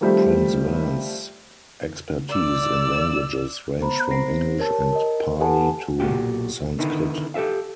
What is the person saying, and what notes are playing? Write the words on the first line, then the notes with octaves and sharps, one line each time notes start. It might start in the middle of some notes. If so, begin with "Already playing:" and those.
Prince Wan's expertise in languages ranged from English and Pali to Sanskrit.
D#3 F3 G3 A3 C4 G4
D5 E6
B3 C5 A#5 B5
C4 C5 A#6 C7 D7
G4 A#4 C#5 A5
A#4 D#5
G4 A4 B4 F#5 G#5 A5
B1 A#2 F#4 G4
D3 D#3 B3 D#4 E4
G4 A4 A#4 E5 F5